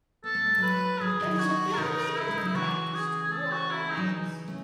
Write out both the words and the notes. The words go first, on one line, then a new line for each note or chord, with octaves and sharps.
It is affiliated to the Baptist World Alliance.
B3 A4
A3
G#3
F#3 A3 B4
F#3 G#4
E3
D#3 F#3
F#4
C#3 E3 D#4
E4
G#3
D#4
F#3
E4
C#3 E3 F#4
G#4
G#4
A4
F#4
E4
D#4
F#3
C#3 E3
A3 C#4